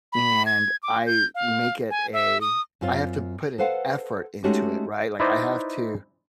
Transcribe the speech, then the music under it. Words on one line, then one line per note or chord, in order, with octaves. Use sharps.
And I make it a I have to put an effort into it, right? Like, I have to
B5
G#6
D6
G6
F5
G#5
E5
D#6
F#2 C4 F4
A4 B4 C5 F5 F#5
G#3 A3 C#4 D#4 F#4 G4
D#4 E4 B4 C5 D5